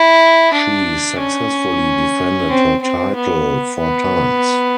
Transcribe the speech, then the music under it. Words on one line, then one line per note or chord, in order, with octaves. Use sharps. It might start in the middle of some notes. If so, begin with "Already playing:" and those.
She successfully defended her title four times.
Already playing: E4
D4
C#4
C4
C4
B3
B3